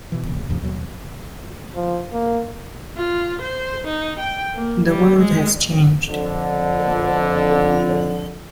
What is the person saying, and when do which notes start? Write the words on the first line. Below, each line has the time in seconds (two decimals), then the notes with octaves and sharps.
The world has changed.
0.12 B2 E3
0.33 F1 C#3
0.49 D2 G2 C3 F3
0.62 D#2 B2 F#3
1.75 F3
2.13 A#3
2.97 F4
3.41 C5
3.87 D#4
4.19 G5
4.55 A#3
4.87 G3
5.18 G#3
6.07 F2 D3